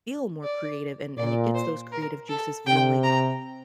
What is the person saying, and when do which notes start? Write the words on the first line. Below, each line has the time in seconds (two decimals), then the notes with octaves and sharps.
feel more creative, and and it gets those creative juices flowing
0.44 D5
1.18 A#2 D5
1.55 C5
1.92 A#4
2.29 A4
2.66 C3 G5
3.03 A#5